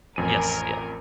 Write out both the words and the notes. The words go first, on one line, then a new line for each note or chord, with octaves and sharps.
Yes, yeah.
A1 F2 A#4 G#5 D#7